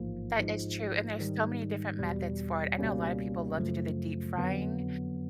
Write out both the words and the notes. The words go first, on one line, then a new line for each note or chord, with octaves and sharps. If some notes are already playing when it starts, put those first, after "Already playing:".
That is true and there's so many different methods for it. I know a lot of people love to do the deep frying,
Already playing: A1 G#2 F3 A#3
G#2 F3 G#3
G#2 D#3 G3
E2 B2 G3
C#2 B2 G3 A#3 C#4
F#2 C#3 F3 A3
F2 D3 F#3 B3